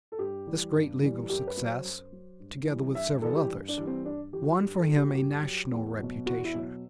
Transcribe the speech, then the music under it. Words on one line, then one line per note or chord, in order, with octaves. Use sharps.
This great legal success, together with several others, won for him a national reputation.
A4
G2 G4
E3 G3
G2
E3 G3
F#2 G4
B4
F#3
C5
F#2
F#3
G2
E3 G3
G2 E5
E3 G3 A4
G4
G2
D4
E3 G3
C4
G2 D4
E3 G3 G4
F#4
G2 G4
A4
F#3
G4
F#4
G2 G4
F#3
E2
B2 F#3
E2 F#4
E4
B2 F#3